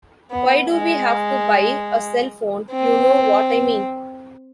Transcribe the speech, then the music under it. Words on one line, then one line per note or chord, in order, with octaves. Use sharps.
Why do we have to buy a cell phone, you know what I mean?
B3
G#3
C4